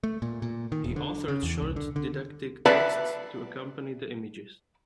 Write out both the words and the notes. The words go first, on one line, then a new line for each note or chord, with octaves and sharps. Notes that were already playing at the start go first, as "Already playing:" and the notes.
He authored short didactic texts to accompany the images.
A3
A#2
A#2
D#3
E1
D3
C#3
E2
C2
D3
D3
B4 D5 E5 A5